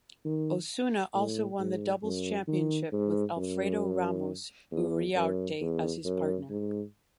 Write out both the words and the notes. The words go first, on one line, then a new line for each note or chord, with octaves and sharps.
Osuna also won the Doubles Championship, with Alfredo Ramos Uriarte as his partner.
D#3
A2
G#2
F#2
D#3
G#2
F#2
E2
F#2
E2
F#2
G#2